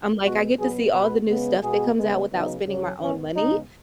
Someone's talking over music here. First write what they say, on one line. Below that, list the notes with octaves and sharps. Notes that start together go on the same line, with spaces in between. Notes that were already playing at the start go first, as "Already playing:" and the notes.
I'm, like, I get to see all the new stuff that comes out without spending my own money,
B2 G#3 B3 F#4
B2 F#3 B3 G#4
B2 B3 B4
C#3 G#3 B3
B2 G#3 B3 G#4
C#3 G#3 B3
C#3 F#3 B3 D#4
F#2 C#3 F#3
G#2 D#3 B3 C#4
C#3 G#3 B3 D#4